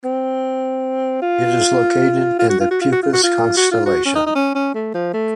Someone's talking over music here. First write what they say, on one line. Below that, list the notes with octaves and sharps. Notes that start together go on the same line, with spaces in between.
It is located in the Puppis constellation.
C4
F4
F4
F#4
F4
F#4
F4
F#4
F4
F#4
F4
F#4
F4
F#4
C#4
D#4
D#4
C#4
C#4
A3
F3
A3